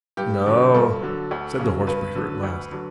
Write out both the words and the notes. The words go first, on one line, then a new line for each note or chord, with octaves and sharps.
"No," said the horse-breaker, at last.
G2 G4
D3 F#3
G2 A4
D3 F#3
D2
C#3 F#3
G2 B4
D3 F#3
D2
D3 F#3